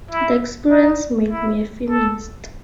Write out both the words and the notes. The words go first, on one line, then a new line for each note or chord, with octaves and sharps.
The experience made me a feminist.
E4
D#4
E4
A4